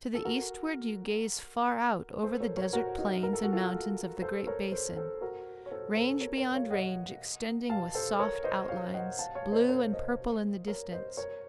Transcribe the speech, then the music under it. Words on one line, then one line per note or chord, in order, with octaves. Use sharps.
To the eastward you gaze far out over the desert plains and mountains of the "Great Basin," range beyond range extending with soft outlines, blue and purple in the distance.
A4
F#4 A#4
A4 C5
A#4 C#5
A#4 C#5
F#4 A#4
D#4 F#4
A#4
A4
F#4
F4 A4
A4 C5
A#4 C#5
A4 C5
A4 C5
F#4 A#4
C#5
A4 C5
A4 C5
A#4 C#5
A#4 C#5
C#5 F5
D#5 F#5
F5 A5
A4 C5
A#4 C#5
C5 D#5
C#5 F5
D#5 F#5
F5 A5
C#5 F5
C5 D#5
A#4 C#5
C5 D#5
A#4 C#5
C5 D#5
A#4 C#5